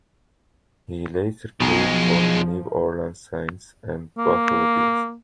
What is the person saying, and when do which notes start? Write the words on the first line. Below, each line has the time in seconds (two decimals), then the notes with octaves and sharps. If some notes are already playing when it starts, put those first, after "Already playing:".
He later played for the New Orleans Saints and Buffalo Bills.
1.60 B1 B2 F3 G#3
4.17 A#3